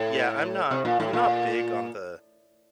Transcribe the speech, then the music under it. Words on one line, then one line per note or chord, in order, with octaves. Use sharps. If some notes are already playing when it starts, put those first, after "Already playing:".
yeah, I'm not I'm not big on the,
Already playing: A2
C3
A#2
A2
A#2